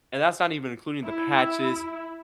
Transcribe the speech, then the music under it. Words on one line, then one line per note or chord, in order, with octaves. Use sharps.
And that's not even including the patches
E4